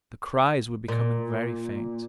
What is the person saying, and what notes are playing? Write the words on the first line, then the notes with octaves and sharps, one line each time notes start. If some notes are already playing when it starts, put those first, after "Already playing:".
The cries were becoming very faint.
A#2